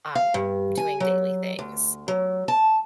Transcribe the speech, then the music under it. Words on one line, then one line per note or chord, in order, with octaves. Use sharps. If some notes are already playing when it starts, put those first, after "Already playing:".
um, doing daily things.
F5
G2
G#5
F#3
D2
F#3
A5